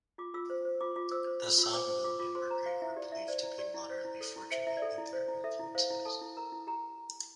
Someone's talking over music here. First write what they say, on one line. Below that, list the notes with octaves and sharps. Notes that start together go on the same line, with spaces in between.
The Sun, Moon, and Mercury are believed to be moderately fortunate in their influences.
F4 D6
F4 E6
C5
C5
F4 D6
F4 D6
C5 E6
C5
F4
F4
E6
C5 D6
C5
F4 D6
F4 D6
C5 C6
C5 A#5
C5 F5
E4 E5
G4 D5
E4 E5
C5 D5
E4
G4 D5
E4
C5
E4
A4
E4
C5 E5
E4 E5
D5
A4 E5
E4
C5
E4
A4 E5
E4
C5 F5
E4
A4 A5
E4
A#4 A#5
E4
G4 A#5